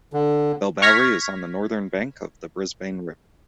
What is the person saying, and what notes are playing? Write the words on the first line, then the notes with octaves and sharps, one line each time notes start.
Bellbowrie is on the northern bank of the Brisbane River.
D3
C#6 F6 G#6 A#6 B6